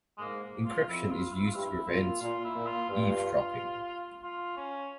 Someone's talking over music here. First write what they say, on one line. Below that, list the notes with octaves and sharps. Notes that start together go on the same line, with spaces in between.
Encryption is used to prevent eavesdropping.
G#3
G#2 A#3
F4
F2 E4
F4
E4
F4
G2 E4
A#2 F4
A#2 F4
E4
A#2
F4
G2 F4
F4
C#4